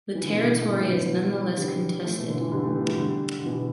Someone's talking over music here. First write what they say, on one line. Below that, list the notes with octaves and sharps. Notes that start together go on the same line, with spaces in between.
The territory is nonetheless contested.
E3
D3
B2 E3
E3 A3
B2 E3
D3
B2 E3
E3
D3 G3
E3 A3
B2
D3
E3
D3 G3
E3 A3
G3 B3
E3 A3
D3 G3
D3
B2 E3